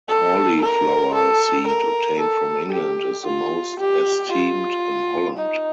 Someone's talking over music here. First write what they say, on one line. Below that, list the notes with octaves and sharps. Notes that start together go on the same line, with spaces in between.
Cauliflower seed obtained from England is the most esteemed in Holland.
A4
A#4
A4
A#4
A4
G4
F4
G4
F4
D#4